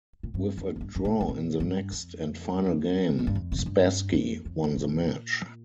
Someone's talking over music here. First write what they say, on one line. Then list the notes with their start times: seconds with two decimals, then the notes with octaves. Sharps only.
With a draw in the next and final game, Spassky won the match.
0.23 A#2
0.34 G2
0.57 F2
0.76 F2
0.81 G2
0.96 G2
1.05 A#2
1.21 G2
1.28 A#2
1.60 G2
1.92 F2
3.19 F2
3.27 G2
3.35 F2
3.52 C3
3.58 A#2
3.66 G2
4.13 F2
4.45 F2
4.77 A#2